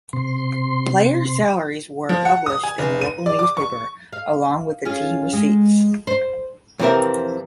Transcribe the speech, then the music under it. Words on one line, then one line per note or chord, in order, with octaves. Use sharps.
Player salaries were published in the local newspaper along with team receipts.
C3 C6
F3
F#5
D#6
G#5
F1
D#7
D5
D6
C#6
F5
C#4 F4 G#4
G#3
C5
F2 C3 E3 C4 A#4 E5